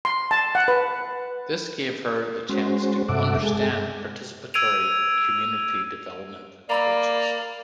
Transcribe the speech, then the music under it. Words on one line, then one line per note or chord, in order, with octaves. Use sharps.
This gave her the chance to understand participatory community development approaches.
C6
A5
F#5
B4
G#3 C#4 F#4 C5
G2 C3 A4 E5 F#5 D6
G#3 G#4 A4
E6 G#6 D7 D#7 F7
A#3 D5 A#5 B5 E6